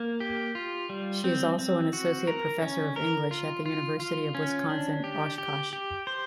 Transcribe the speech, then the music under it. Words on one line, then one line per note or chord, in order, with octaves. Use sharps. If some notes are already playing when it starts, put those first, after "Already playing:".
She is also an Associate professor of English at the University of Wisconsin-Oshkosh.
Already playing: A#3
G4
F4
G3
C4
C4
F#4
A#4
C#4
A#4
F4
F4
F4
C#4
D4
G4
G4
G4
C5